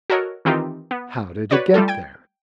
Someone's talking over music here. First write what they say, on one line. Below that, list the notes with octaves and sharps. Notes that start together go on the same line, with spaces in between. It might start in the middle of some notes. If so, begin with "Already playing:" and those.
How did it get there?
F#4 A4 A#4 C#5 D#5
D#3 E3 C4 D#4 F4 G4
B3
F#4 B4 C#5 D5
G3 A3 F4 A4
G5 G#6 D7